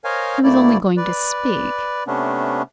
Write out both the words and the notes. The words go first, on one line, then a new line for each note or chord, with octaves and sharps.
He was only going to speak.
A#4 C5 C#5 D#5 F5 G#5
D2 A3 A#3 E4 D5
B4 D5
C3 A3 B3 C#4 D4